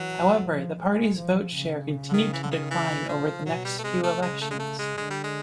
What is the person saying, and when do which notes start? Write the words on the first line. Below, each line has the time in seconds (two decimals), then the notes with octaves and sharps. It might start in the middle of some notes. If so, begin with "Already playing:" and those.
However, the party's vote share continued to decline over the next few elections.
Already playing: E3 F#3
0.43 F3
0.81 G#3
1.18 F3
1.56 C#3
2.09 D3
2.13 D#3
2.33 E3
2.43 D3
2.51 D#3
2.71 E3
3.09 F3
3.45 B2 F#3
3.65 G3
3.78 A3
3.84 C3 G#3
4.03 A3
4.21 C#3 G#3
4.41 A3
4.51 G#3
4.59 A3
4.79 G#3
4.98 D3 G#3
5.10 G3
5.24 G#3